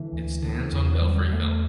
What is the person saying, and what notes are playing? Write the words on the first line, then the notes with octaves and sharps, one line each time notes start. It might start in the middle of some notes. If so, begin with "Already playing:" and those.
It stands on Belfry Hill.
Already playing: D3 E3
D2
D3
E2
D3 G3
E2 A3